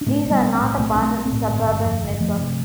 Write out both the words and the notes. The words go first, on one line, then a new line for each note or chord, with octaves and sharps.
These are not a part of the suburban network.
D4
A2 A3 C4
B1
G3 B3
B1
A3 C4
A2
B1 A3 C4
B1 D4
A3 C4
B1
A3 C4
A2
G1
G1
F2
G1
G1 F3 A3
C3